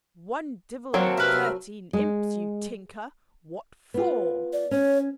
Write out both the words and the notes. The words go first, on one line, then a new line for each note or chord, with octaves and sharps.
"One divel and thirteen imps, you tinker! what for?"
F#3 A#3 C4 A4 F#5 A5
C3 G4 B4 E5 F6
G#3
B3 F4
D5
C#4 C#5